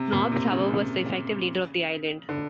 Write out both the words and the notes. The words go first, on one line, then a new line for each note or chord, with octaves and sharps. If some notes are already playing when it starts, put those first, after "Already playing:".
Nobbs, however, was the effective leader of the island.
Already playing: C3
A#2
C3
C#3
D3